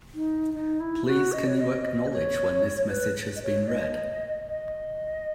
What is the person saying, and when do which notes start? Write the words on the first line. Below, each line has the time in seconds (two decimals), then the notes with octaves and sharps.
Please can you acknowledge when this message has been read?
0.14 D#4
0.54 D#4
0.80 E4
1.06 F#4
1.32 D#5
1.47 C#5
1.58 D#5
1.84 D#5
2.07 B4
2.11 C#5
2.89 B4
3.36 D#5
3.43 C#5
3.68 D#5
4.47 D#5